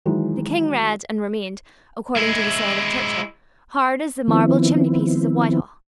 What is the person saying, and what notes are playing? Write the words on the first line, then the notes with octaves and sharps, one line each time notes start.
The King read, and remained, according to the saying of Churchill, hard as the marble chimneypieces of Whitehall.
D#3 E3 F#3 G#3
G#3 E4
D#3 F3 B3 C4 E4